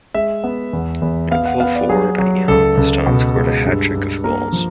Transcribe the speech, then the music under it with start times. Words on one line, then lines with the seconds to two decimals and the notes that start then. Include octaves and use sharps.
New full-forward Eoin Liston scored a hat-trick of goals.
0.14 G#3 E5
0.44 B3
0.73 E2
1.02 E2
1.31 B3 F5
1.45 F#5
1.60 B3 F5
1.76 D5
1.89 F#3 G#4
2.19 F#3
2.48 C#2 A4
2.77 C#2
3.06 B2
3.35 G#3
3.66 G2
3.94 G2
4.24 A#3 A#4
4.53 F3